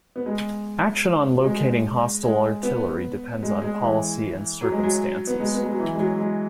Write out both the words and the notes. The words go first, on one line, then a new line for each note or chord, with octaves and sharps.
Action on locating hostile artillery depends on policy and circumstances.
B3
G#3
F#3
G#3
G#3
B3
G#3
G#3
E3
F#3
G#3
F#3
B3
G#3
B3
G#3
F#3
E3
G#3
F#3
G#3